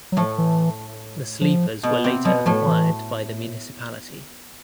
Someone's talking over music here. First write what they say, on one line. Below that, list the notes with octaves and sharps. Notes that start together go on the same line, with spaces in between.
The sleepers were later acquired by the Municipality.
F#3
A2 F3 A3
E3
F3
B2 B3
C3 C4
B2 F#3 B3
A2 F3 A3
E3